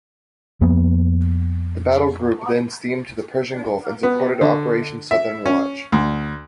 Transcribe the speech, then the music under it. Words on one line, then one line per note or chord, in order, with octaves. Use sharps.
The battle group then steamed to the Persian Gulf and supported Operation Southern Watch.
F2 F3 A#3 B3
B3
D3
E5
C#4
D2